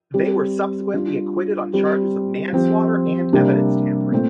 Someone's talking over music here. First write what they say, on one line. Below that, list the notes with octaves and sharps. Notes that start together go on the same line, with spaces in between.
They were subsequently acquitted on charges of manslaughter and evidence tampering.
G3 C4 G4
G3 D4 F4
G3 C4 G4
F3 C4 G4
C3 G3 A#3 D4
A#2 A3 C4